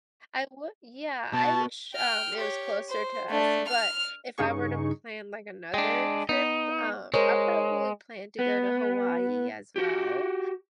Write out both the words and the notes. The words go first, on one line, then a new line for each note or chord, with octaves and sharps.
I would yeah. I wish, um, it was closer to us, but if I were to plan, like, another trip, uh, I probably plan to go to Hawaii as well,
B2 A5
G5 F6
G4 C#5
C5
A3 D4
F6 F7
G2 C#3 D#4 G#4 C#6
G#3 D4 G5
B3 D#4
G#3 A#4 C5 C#5
B3
F#4 G4